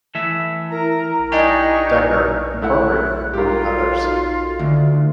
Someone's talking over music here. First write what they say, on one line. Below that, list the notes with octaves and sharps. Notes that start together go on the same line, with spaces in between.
Decker, Incorporated among others.
E3 A3 E5
E4 A#4 A#5
G3 D4 D#4 G4 D#5 G#5 C#6
A3 E4 F#5 F#6
F4 G4 A#4
D#4 F#4 A4
D2